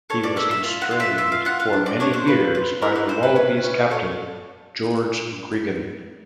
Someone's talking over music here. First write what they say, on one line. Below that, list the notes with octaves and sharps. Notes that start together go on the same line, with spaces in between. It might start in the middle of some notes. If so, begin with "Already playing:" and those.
He was constrained for many years, by the Wallabies captain, George Gregan.
A4 C#5
D5
A#3 E5
E5
F4
F#5
F4
E5
F4 E5
F5
F4 F#5
F5
D4
D5
D4 C#5
C5
F4 B4
F4
E4 A#4
B4
A#3 C5
B4
C#4 B4
C#4
A4 C#5